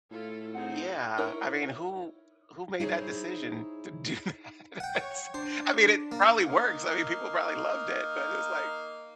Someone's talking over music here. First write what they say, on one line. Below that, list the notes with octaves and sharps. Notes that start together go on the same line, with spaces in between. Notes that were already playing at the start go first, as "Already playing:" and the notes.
Yeah. I mean, who who made that decision to do that, it's I mean, it probably works. I mean, people probably loved it, but it was like,
A2 E4 F4 A4
C4 D#4 G#4 C5 F#5
D#4 E4 A#4 C#5
D#4 E4 G#4 C5 C#5
F#5 G5
C#5
D4 C5
A#3
A#3 D#4 F5